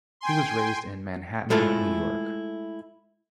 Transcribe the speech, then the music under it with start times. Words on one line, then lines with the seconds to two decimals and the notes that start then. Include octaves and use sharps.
He was raised in Manhattan, New York.
0.21 G5 G#5 C6
1.50 G#3 A3 E4 F4 A4